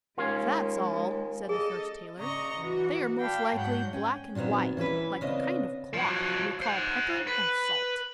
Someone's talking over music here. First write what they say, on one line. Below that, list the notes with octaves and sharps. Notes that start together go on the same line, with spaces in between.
'If that's all,' said the first tailor, 'they are most likely black and white, like the kind of cloth we call pepper-and-salt.'
D#2 G#3 C#4 F4
G#4 A4 D#5
C#3 D5 D#5 A#5 C#6
E3 F#4
D5 F5 G5 A5 B5
G#2 F#3 G#3 F#5 G6
C#4 G5
A#2 D#3 F#3 B3 C4
E3 C#4 E4 B4
C#3 B3 C4 D4 D#5
F3 F#3
C5 F#5
B4